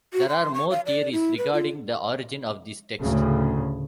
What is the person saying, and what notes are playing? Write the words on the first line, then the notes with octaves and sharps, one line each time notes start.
There are more theories regarding the origin of these texts.
F#4
C6
C#6
F5
D5
E4
B4
F4
D2 A2 C#3